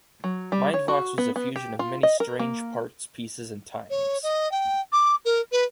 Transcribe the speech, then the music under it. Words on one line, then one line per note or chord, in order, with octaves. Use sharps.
MindVox was a fusion of many strange parts, pieces and times.
F#3
G3
C#5
F#4
B3
B3
G4
F4
D#5
A#4
A#3
C#5
D#5
G5
D6
A#4
B4